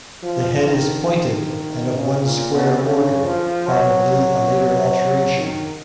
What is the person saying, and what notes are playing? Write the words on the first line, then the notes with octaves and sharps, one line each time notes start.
The head is pointed and of one square order, probably a later alteration.
F3
D#3
C#3
A#2
B2
C#3
F3
F#3
D#3